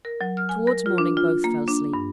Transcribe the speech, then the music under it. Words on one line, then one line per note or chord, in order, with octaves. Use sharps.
Towards morning both fell asleep.
A#4
F#3
F6
G#5
A#4
F4
D4
F4
A#3
D4
G2